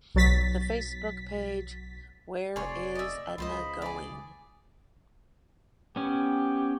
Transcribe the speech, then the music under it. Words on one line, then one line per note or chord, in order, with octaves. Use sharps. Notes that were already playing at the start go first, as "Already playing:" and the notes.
The Facebook page, Where is Edna Going?
B1 F#3 A6 B6
F1 G#4 C#5 D5 C6
D#5 E5
C#2 F4 C5 D#5 B5
G#4 D5
B3 C#4 G4